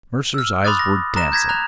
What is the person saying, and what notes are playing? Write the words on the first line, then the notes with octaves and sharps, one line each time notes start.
Mercer's eyes were dancing.
E6 F6
B5 C6 D6 D#6 F#6 A6
A#6
A#5 F#6 A#6 E7
G6 G#6 A#6 B6
A#5 F#6 F7